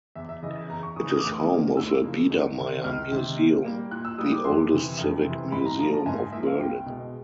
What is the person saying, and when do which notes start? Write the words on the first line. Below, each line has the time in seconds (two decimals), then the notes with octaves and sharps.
It is home of a Biedermeier museum, the oldest civic museum of Berlin.
0.15 E2 E5
0.29 E5
0.42 C#3 E3 D#5
0.56 E5
0.70 E2 A#5
0.83 C#6
0.96 C#3 E3 D#6
1.10 D#6
1.17 D6
1.23 D2 D#6
1.50 C#3 F3 A#3
1.77 D2 E6
2.04 C#3 F3 A#3
2.30 C#2
2.58 C3 D#3
2.84 C#2 F6
3.11 C3 D#3
3.38 A#2
3.65 G3 A#3
3.91 A#2 F#6
4.05 E6
4.18 G3 A#3 D#6
4.32 D6
4.45 F2 C6
4.72 C3 E3
4.98 F2
5.25 C3 E3
5.52 G#2 B5
5.66 A#5
5.79 F3 A#3 A#5
5.93 A5
6.06 G#2 G#5
6.19 D#5
6.33 F3 A#3 E5
6.46 F5
6.60 C2 G5
6.86 B2 G#3